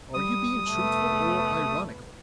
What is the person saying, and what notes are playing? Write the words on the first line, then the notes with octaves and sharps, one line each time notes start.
Are you being truthful or ironical?
G3 D#6
F1 A3 B3